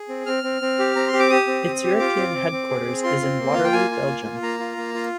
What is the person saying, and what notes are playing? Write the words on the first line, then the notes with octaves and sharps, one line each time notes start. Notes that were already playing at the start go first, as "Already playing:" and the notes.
Its European headquarters is in Waterloo, Belgium.
Already playing: G#4
C4
C4 F6
C4
C4
G4
C4 A#5
C6
G4
D6
G4 D#6
C4
C4
G4
F4 D6
C4
C4
C4
G#4
C4
F4 C6
C4
A#3
F4 F5
G5
A#3 G#5
F4
A#3
F4
A#3 A#5
F4
A#3
F4